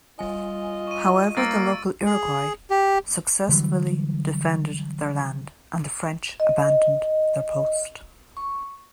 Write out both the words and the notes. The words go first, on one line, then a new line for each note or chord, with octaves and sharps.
However, the local Iroquois successfully defended their land and the French abandoned their post.
G3 F4 D#5 G#5
C#6 D#7
G3 A#3 E6 A6 D7
G#4
G4
D3 E3 F#3 G3
D#5
C#6